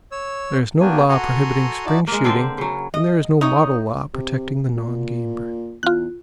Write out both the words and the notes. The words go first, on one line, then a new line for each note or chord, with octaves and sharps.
There is no law prohibiting spring shooting, and there is no "model law" protecting the non-game birds.
C#5 E6
A#3 B3 D4 F#4 G4 G#5
F#4 A4 F#5 G#5 A#5 C6
D#4 E4 F#4 D5 A5
G#3 A#3
D3 C4 C5 D5
C#3 F#3
D#5
D#4 C#5 D#5 D#6
C3
A#2
E2 F4 F#6